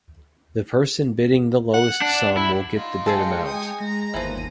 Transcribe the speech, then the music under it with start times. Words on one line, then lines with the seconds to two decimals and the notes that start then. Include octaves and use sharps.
The person bidding the lowest sum will get the bid amount.
1.74 F#5
2.01 D4
2.37 E4
2.73 D#4 F4
3.06 G#3 G#4 A4 G5 A5 C#7
3.46 G#5 D#6
3.80 G#3 A#5 A#6
4.14 G1 D#2 E3 F3 D#7